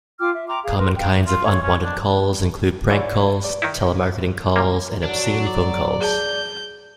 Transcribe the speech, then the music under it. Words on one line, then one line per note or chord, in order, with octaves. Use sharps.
Common kinds of unwanted calls include prank calls, telemarketing calls, and obscene phone calls.
F4 G5 D6 F6
E5
G5 A#5 C6 D6
G#4 F5
A#4 B4 C6
F5 G5
F4
C#5
C#4
D4
G#2 E3 E4 C#5 D5
D5
D#3 D#4 E4
A#2 G3 A#3
F#3 D4
D5
G#4 A5 G6